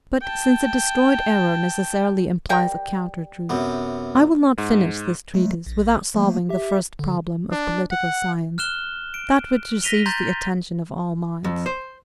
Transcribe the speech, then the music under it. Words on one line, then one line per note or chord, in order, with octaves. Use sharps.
But, since a destroyed error necessarily implies a counter-truth, I will not finish this treatise without solving the first problem of political science,--that which receives the attention of all minds.
G5 A5
G3 A#4 G5
F#2 C3 B3
G#2
F#3 G#3 A3
A#1
F3 A3 A#3
G4 E5
D3
D4
F#5
F6 F#6 E7 G7
D7
A#6 B6 D#7 F7 G7
A#5 C6 G6 A6
F2
C5